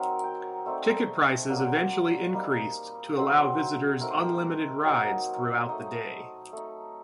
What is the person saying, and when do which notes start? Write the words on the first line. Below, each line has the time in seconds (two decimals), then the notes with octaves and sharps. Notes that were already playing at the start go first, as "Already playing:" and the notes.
Ticket prices eventually increased to allow visitors unlimited rides throughout the day.
Already playing: F#3 C4 D#4 A#4
0.24 G5
0.65 A3 C4 D#4 D5
1.49 F#3 A#3 D4
2.34 G3 A#3 D#4
3.17 F#3 C4 D#4 C5
4.01 A3 C4 D#4 A#4
4.10 C5
4.20 A#4
4.85 F#3 A#3 D#4
5.69 A3 D#4 D#5
6.53 A3 D#4